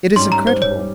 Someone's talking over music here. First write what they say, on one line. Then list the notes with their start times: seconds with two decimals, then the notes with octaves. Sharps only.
It is incredible!
0.16 G#2 G3 C#4 C6
0.32 A#5
0.47 C5
0.62 C#5
0.79 G3